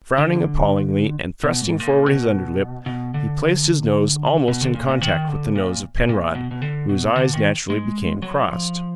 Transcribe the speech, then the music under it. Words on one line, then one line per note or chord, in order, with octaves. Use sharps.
Frowning appallingly, and thrusting forward his underlip, he placed his nose almost in contact with the nose of Penrod, whose eyes naturally became crossed.
D3
B2
G#2
A#2
B2
B2
D3
B2
D3
A#2
A#2
D#3
D3
A#2
A#2
B2
B2
D3
B2
D3
D#3
G#3
F#3
F3